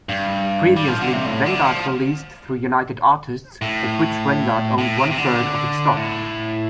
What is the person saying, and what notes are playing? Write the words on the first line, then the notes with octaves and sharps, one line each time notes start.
Previously, Vanguard released through United Artists, of which Vanguard owned one-third of its stock.
G2
G3
F3
D3
C3
A2
D3
F3
A2
A2
C3
C3
D3
A2